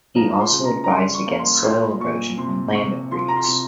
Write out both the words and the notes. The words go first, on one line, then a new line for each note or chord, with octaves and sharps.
He also advised against soil erosion and land overuse.
F3 A#5
C6
C#3
A#5
A#5
G3 C6
C#6
A#3
C6
A#2 C6
A#2 C#6
C3 C6
C3 C#6
F3 C6
A#5
C6
C3